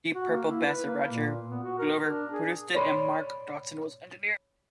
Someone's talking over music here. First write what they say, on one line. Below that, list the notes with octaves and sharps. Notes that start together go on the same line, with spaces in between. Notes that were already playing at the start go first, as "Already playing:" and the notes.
Deep Purple bassist Roger Glover produced it and Mark Dodson was engineer.
F#4
A#3
E4
B4
A#3
A#2
B3
F#4
A#4
D4
G#4
C#5 D5 B5 C6